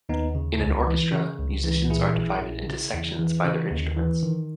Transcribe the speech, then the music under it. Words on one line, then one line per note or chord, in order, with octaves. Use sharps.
In an Orchestra, musicians are divided into sections by their instruments.
D#2 B3 D#4
C#3
C#2
E3
C#3
C#2
E3
A#2 E4 G#4
A#1
A#1
C#3
E2
E3
C#3
D#2
E3
D#3